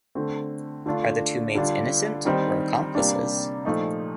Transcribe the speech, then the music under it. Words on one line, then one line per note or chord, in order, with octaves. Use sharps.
Are the two maids innocent or accomplices?
D3 A3 C4
D3 A3 D4 F4
D3 G3 D4 F4
D#3 G3 C4 D#4
C3 G3 A#3 D4
A#2 F3 A3 D#4